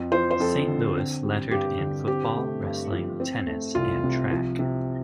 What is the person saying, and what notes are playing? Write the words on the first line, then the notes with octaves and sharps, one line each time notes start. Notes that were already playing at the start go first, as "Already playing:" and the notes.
St.Louis lettered in football, wrestling, tennis, and track.
Already playing: F2
F3 C5
C5
F2 A4
D3
C4
G3
G2 G4
D3
C4 G4
A3
G2
F3
C4
A3
C2 F4
C3
F3
C3